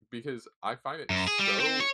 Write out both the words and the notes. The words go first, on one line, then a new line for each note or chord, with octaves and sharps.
Because I find it so
F#2
G#4
G3
C4
C#5